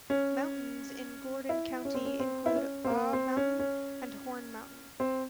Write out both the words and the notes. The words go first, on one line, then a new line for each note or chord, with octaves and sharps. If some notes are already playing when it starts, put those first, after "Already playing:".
Mountains in Gordon County include Baugh Mountain and Horn Mountain.
C#4
E4
C#4
C4
C#4
C4
E4
C#4
C4
A#3
C4
C#4
C#4
C4